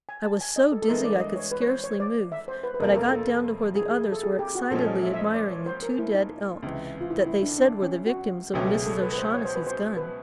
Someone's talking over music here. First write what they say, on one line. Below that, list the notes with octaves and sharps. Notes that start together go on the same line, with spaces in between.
I was so dizzy I could scarcely move, but I got down to where the others were excitedly admiring the two dead elk that they said were the victims of Mrs. O'Shaughnessy's gun.
G#5
A5
G#5
D#5
A4
A4
G2 E3 G#3 B3 A#4
D5
D#5
C#5
B4
C#5
C5
C#5
D5
E5
C5
B4
B4
F2 C3 F3 A#3 A#4
A4
A#4
A4
G#4
G#4
A4
G#4
G4
F#4
A#2 F3 G#3 C#4 A4
D#5
E5
E5
D#5
D5
C#5
C5
A#4
E4
D#4
C#2 C3 E3
F4
E4
E4
D4
D4
C#4
F#4
C#2 B2 F#3 A3 C#4 G4
G#4
A4
B4
B4
C5
C#5
C5
B4
C5
B4